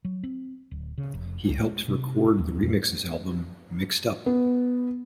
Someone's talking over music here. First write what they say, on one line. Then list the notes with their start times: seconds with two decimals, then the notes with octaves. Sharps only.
He helped record the re-remixes album "Mixed Up".
0.05 F#3
0.23 C4
0.71 D1
0.98 C#3
1.14 F1
1.48 C#2
1.62 G#3
1.88 C3
2.38 D#2
2.63 F2
4.26 B3